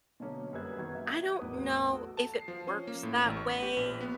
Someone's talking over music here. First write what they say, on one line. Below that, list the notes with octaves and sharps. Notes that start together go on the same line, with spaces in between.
I don't know if it works that way
B2 D3 F#3 A#3 C#4 D4
F#2 G3 G#4 B4 G#6
D#3 F#3 A#3 B3 G#6
E5
A1 E2 F#3 B4 D#6
F#4 A4
A5
C7
F3
C#4
A#3
A2
A1
C#6
B6
G4
A#1
B3